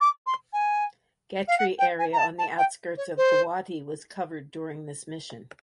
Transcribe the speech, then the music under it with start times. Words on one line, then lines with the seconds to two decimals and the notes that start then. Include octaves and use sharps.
Khetri area on the outskirts of Guwahati was covered during this mission.
0.01 D6
0.26 C6
0.53 G#5
1.48 F5
1.58 F#5
1.79 G5
1.99 G#5
2.13 A#5
2.18 A5
2.38 A5
2.58 G5
2.97 C#5
3.17 C5